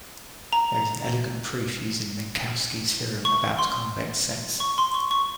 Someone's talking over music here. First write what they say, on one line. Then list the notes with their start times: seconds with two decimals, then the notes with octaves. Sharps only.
There is an elegant proof using Minkowski's theorem about convex sets.
0.53 A#5
3.25 C#6
3.59 C6
4.60 C#6
4.78 C6
4.94 C#6
5.11 C#6